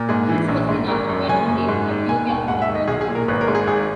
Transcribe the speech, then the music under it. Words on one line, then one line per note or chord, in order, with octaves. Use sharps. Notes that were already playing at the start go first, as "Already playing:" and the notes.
This was enough to eliminate Ethiopia from the tournament.
Already playing: A#2
G#2 G#4
E3
A#1
G#2
G#1 A#4
F#2
F#1 G#5
F#2
G#2
D#3
E1 G#5
D#2
G#2 F#5
E5
D#3
D#5
B1 G#4
G#4
A#2
A#4
G#1 B4
A#4
G#2
G#4
G#1 G#4